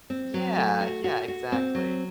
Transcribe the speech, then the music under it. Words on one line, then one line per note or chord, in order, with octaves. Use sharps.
Yeah yeah, exactly,
C4
F#3
A3
F#4
F#4
F#4
C4
F#3